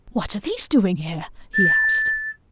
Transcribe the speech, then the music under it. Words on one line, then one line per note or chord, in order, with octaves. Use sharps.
"What are these doing here?" he asked.
A6